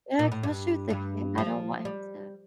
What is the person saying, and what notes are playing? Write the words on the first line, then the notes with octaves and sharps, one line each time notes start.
Yeah, especially with a kid. And I don't want him to
A#2
A2
G2
G2
F3
G3